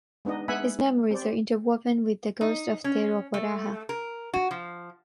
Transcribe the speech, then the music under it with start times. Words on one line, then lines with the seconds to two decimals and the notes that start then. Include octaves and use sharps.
His memories are interwoven with the ghost of Te Rauparaha.
0.25 G#3 B3 D4 D#4 D#5
0.48 G#3 B3 E5 F#5 G#5 B5
1.11 C4 G4 D5
2.41 D#4
2.84 C#4
3.34 A3
3.89 A#4
4.34 F#4
4.51 F3